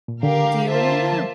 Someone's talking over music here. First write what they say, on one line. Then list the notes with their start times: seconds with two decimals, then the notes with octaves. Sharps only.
Do you remember
0.08 A#2
0.23 D3 G4 A#4 F5
0.68 A#3 F4 C5 E5 A5
1.12 F3